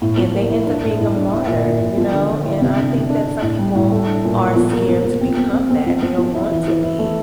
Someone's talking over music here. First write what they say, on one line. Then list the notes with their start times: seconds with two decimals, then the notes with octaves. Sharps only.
and they end up being a martyr, you know? And I think that some people are scared to become that, they don't want to be
0.02 A2
0.18 F3
0.34 A#3
0.50 E4
0.66 D4
0.83 A2
1.00 A2
1.16 D4
1.32 E4
1.48 A#2
1.65 A#2
1.80 A#2
1.97 F3
2.13 D3
2.29 D3
2.46 E4
2.61 C3
2.78 D4
2.94 C3
3.10 D4
3.26 D4
3.42 A2
3.59 G3
3.75 A2
3.92 A3
4.07 D4
4.24 A#2
4.41 A#2
4.56 F3
4.73 A#3
4.88 F3
5.05 F3
5.21 C4
5.37 C4
5.53 C4
5.70 C4
5.86 F3
6.02 F3
6.18 F3
6.35 E4
6.52 E3
6.68 E3
6.84 E4
6.99 A3